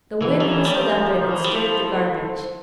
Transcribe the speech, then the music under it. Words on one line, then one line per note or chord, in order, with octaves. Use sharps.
The wind whistled up it and stirred the garbage.
E3 A3 D4 G4 A#4
F3
E3
G3
F3
E3 E4 A4 C5
G3
F3